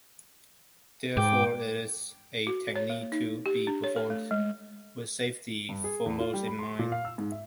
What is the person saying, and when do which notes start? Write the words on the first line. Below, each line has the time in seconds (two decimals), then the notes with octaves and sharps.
Therefore, it's a technique to be performed with safety foremost in mind.
1.17 G#2 G5 D6
2.47 F#4
2.76 C#5
2.90 A#3
3.12 D#4
3.46 G4
3.67 D4
3.84 C#5
3.96 A4
4.10 A3
4.31 G#3
5.69 G2
5.84 G#4
6.06 E2
6.20 F4
6.33 G3
6.47 B5
6.59 C6
6.79 A#2
6.92 F5
7.05 E6
7.18 G#2
7.32 E5